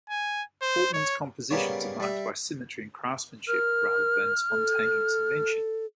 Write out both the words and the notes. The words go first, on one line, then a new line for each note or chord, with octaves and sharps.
Hauptmann's compositions are marked by symmetry and craftsmanship rather than spontaneous invention.
G#5
C5
C#5
C#3 G3 A#3 B3 C#5
G3 E5
A#4 F6
A4